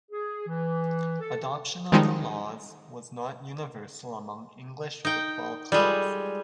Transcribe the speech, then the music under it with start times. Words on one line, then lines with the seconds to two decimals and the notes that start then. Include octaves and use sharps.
Adoption of the laws was not universal among English football clubs.
0.11 G#4
0.47 E3
1.21 A4
1.92 D#3 F3 G3 G#3 C4 D#4
5.05 D#4 G5
5.72 G3 G#3 F4 A4 D5